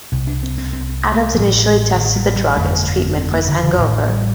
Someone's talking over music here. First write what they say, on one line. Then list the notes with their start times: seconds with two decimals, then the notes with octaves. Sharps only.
Adams initially tested the drug as treatment for his hangover.
0.12 C2 C3 C4
0.27 D4
0.43 C4
0.58 C4
0.73 C4
1.14 A3
1.34 A1 A2 F3
1.95 D#3
2.15 G3
2.36 G3
2.56 G1 F2 D3 A3
3.17 C4
3.32 A#3
3.48 D3
3.63 D3
3.78 A1 A2 D#3
4.09 G3